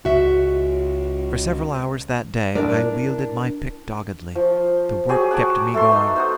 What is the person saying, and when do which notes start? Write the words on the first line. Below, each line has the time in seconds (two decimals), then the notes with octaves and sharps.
For several hours that day, I wielded my pick doggedly. The work kept me going.
0.05 C#2 F#4 E5
2.55 D4 E4 A#4 D5
4.35 F3
5.09 F#3 G4 G#4
5.31 F#5 A5 C#6 D6
5.74 A3 A4 C6
5.89 B3 D#4
6.16 C5 F#5 D#6